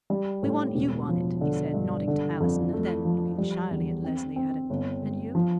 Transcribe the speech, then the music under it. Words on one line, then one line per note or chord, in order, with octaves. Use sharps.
"We want you on it," he said, nodding to Allison and then, looking shyly at Leslie, added, "And you?"
G3
A2
E1
F3
D3
G2
D3
F2
A3
F3
G3
E2
C4
C4
G1
G1
F3